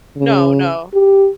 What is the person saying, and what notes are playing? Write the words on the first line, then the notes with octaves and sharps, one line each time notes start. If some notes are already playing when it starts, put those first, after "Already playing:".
No, no.
C#3
G4